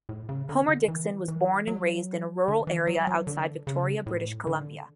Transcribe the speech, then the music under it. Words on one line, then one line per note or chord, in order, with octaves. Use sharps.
Homer-Dixon was born and raised in a rural area outside Victoria, British Columbia.
A2
C#3
D3
D3
E3
E3
F#3
D3
E3
F#3
F#3
D3
C#3
A2
D3